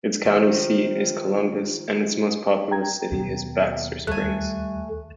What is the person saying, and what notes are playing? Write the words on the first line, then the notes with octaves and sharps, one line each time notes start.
Its county seat is Columbus, and its most populous city is Baxter Springs.
D#3 F3
G5 A#5 G#6
D#2 B2 F#3
D#2 G3 A3 G#5 F#6